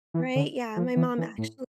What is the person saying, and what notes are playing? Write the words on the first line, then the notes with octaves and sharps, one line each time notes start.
Right? Yeah. My mom actual
E3
D3
F3
E3
E3
A2